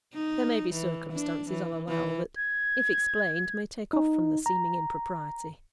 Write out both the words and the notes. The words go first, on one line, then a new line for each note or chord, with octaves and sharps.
There may be circumstances, I'll allow, that, if explained, may take off from the seeming impropriety.'
D#4
E3
D4
E3
E3
G#6
D#4
A#5